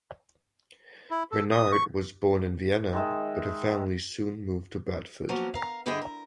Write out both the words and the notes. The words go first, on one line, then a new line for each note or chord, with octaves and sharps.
Reynard was born in Vienna but her family soon moved to Bradford.
E4
A4
D#6
C#6
D#3 G#3 E5
F3 F#3 A#3 B3 C#4
A#4 F5
G2 D3 E4 G#4 D#5 G5
A#4